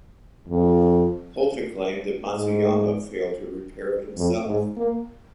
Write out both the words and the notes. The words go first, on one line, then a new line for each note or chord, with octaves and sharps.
Poulter claimed that Matsuyama failed to repair it himself.
F2
G#2
F2
G#2
A#3